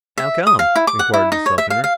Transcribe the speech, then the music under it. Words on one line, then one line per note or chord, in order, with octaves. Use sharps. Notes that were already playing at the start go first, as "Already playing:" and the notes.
"How come?" inquired the Southerner.
E5
D#6
F5
E4
D6
F#5
E4
D#4
C#5
E5
F5
F5